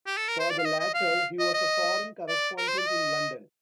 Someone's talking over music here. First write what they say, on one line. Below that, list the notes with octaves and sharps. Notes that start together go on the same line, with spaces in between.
For the latter he was a foreign correspondent in London.
G4
A4
A#4
C5
D5
F5
D#5
D#5
F5
D#5
D#5
D5
A#4
C5
D5
D#5